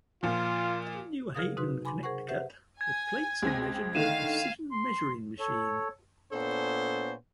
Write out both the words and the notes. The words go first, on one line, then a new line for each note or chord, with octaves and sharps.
In New Haven, Connecticut, the plates are measured with a precision measuring machine.
A#2 F3 F4
C#3 F#3 G#4 A#4 F5 D#6
C3 D#4 F#4 B4 C6
G#5 B5 C6 D6
G#4 A#4 C5 F#5 C#6
G4 B4 C5 E5 F#5
G#5 G#6
C#2 C4 A#6
D3 D#3 A3 F5 D#7 E7
C6
A4 C#5
A#2 B3 D4 A4 C5 C#5